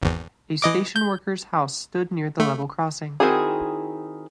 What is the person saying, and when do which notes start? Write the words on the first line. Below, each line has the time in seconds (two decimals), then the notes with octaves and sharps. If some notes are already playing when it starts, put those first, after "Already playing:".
A station workers house stood near the level crossing.
0.02 G#1 E2
0.62 E3 D#5 D6
0.96 G6
2.40 A3
3.20 D#3 C4 E4 F#4 G#4